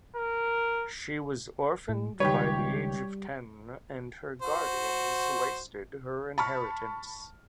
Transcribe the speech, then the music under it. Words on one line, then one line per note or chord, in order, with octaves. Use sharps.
She was orphaned by the age of ten and her guardians wasted her inheritance.
A#4
A2
C#2 D#3 G3 G4 B4 C#5
F#4 C5
A5 B5 C#6 F6